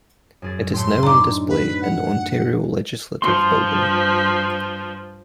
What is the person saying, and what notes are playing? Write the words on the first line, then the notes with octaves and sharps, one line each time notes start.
It is now on display in the Ontario Legislative Building.
F#2 G#4 A6
A2 A3 C6
D3 D#4 A#5 D6
B4
F#5
G2 F3 C6